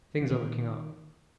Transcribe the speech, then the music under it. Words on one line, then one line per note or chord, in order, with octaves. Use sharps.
Things are looking up.
E3
A#2 D#3